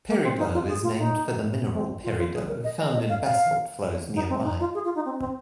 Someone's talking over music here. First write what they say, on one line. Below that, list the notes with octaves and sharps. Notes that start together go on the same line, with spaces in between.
Peridot is named for the mineral peridot, found in basalt flows nearby.
A#3
C4
D#4
F4
G#4
F4
D#4
C4
F4
F4
G#4
A#4
D#5
D#5
D#5
F5
F5
D#4
C4
D#4
F4
G#4
F4
D#4
C4
C4